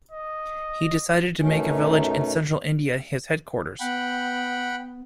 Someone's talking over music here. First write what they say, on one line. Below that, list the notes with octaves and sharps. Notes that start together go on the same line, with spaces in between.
He decided to make a village in Central India his headquarters.
D#5
F#2 B2 A3 C#4 D#4
B3 F#5 G5 B5